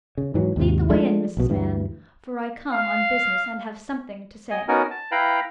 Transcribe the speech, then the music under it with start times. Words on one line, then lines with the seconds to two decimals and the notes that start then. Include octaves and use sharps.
Lead the way in, Mrs. Mann, for I come on business, and have something to say.'
0.18 C#3
0.34 G#2 E3 F#3
0.56 D#2 G#2 C3
0.90 F3 G#3 A3 D4
1.37 A#1 B2
1.49 D2 G2 E3
2.73 F5
4.51 D#5 G#5
4.68 B3 C#4 D#4 F#4 A#4 G#5
4.91 A5
5.11 E4 B4 F5 G5 A#5 B5